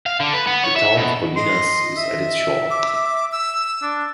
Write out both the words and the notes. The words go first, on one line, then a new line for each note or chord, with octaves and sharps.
The town of Bolinas is at its shore.
F5
D3
B4
B3
C#5
E5
B2
D#5 C6
E5
D6
E6
D4